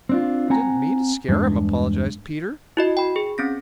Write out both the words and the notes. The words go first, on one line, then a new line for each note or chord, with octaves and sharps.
"I didn't mean to scare him," apologized Peter.
C4 D4 F4
C4 F#5 G#5 A#5
E2 G2 G#3 D4
E4 F#4 D#5
G5 B5
G#4
C4 C#4 A#6